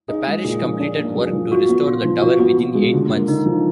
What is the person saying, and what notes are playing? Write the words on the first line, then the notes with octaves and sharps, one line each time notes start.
The parish completed work to restore the tower within eight months.
D#4 G#4
G#3
A#2 G#4
F3
D4
A#3
F#2 G#4
F3
F4 F#4
B3
A#2 F4
F3
F4 F#4
B3 F#4
B2 F#4
G#3
D3 F4
A#3
D3 D#4
F3